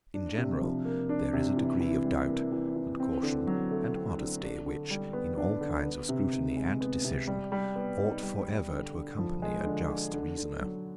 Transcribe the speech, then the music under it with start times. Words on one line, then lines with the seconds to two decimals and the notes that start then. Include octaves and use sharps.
In general, there is a degree of doubt, and caution, and modesty, which, in all kinds of scrutiny and decision, ought for ever to accompany a just reasoner.
0.14 D4
0.38 C3
0.62 F3
0.85 A#3
1.09 D4
1.33 C3
1.57 E3
1.80 E3
2.04 G3
2.29 A#3
2.52 E3
2.76 E3
3.00 C4
3.23 D3
3.47 F#3
3.71 A3
3.95 C4
4.19 D3
4.43 D4
4.66 D3
4.90 G3
5.13 B3
5.37 D4
5.61 D3
5.85 B3
6.09 C3
6.32 D#3
6.57 G#3
6.81 B3
7.05 C3
7.28 G3
7.52 G3
7.76 B3
8.00 D#4
8.23 G3
8.47 G3
8.71 D3
8.94 D3
9.19 F3
9.42 G#3
9.66 D3
9.89 D3
10.14 D3
10.37 D3
10.61 F#3